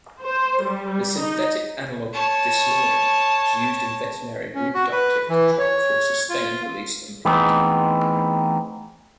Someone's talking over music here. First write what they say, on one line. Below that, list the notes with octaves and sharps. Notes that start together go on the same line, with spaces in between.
The synthetic analogue Deslorelin is used in veterinary reproductive control through a sustained-release implant.
C5
G3
D#4
C#5 A5
C#4
F#4
B4
E3
C#5
F4
E3 A3 B3 C4 D#4 G#4